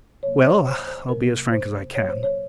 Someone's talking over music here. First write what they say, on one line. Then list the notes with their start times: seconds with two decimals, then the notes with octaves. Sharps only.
Well, I'll be as frank as I can.
0.23 C3 F#3 A#3 C#5
0.45 C#5
0.66 C5
0.87 C5
1.09 C3 F#3 A#3 A#4
1.52 C5
1.95 A#2 F#3 A#3 C#5
2.09 C5
2.23 C#5